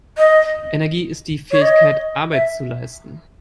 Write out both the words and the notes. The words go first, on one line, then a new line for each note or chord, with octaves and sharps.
Energie ist die Fähigkeit Arbeit zu leisten.
D#5
C#5
D#5
E5